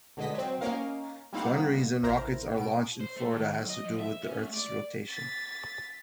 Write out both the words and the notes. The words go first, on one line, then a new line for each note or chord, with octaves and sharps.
One reason rockets are launched in Florida has to do with the Earth's rotation.
B2 D3 G#3 D#5 B6
F#3 C4
A#3 C#4 D#4 A#4 F5
G3 A#3 C4 D#4 F5 F#5
A1 E4 A#4 C5 A#5
B2 D7
C5
A3
D#3
B1
D#5
F3
E5
C#4
A3
D5
A6 B6